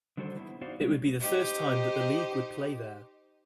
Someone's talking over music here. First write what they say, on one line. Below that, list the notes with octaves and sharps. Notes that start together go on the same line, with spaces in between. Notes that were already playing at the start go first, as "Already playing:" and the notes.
It would be the first time that the league would play there.
D3 D#3 G3 F#4 A4 C5
B3 E4
B3 D#4 F#4 C5 D5 F5
G3 G#3 C#4 G4 C#5
D#4 G4 C5